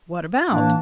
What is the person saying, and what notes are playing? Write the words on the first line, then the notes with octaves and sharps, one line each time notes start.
"What about?"
A2 E3 A#3 D4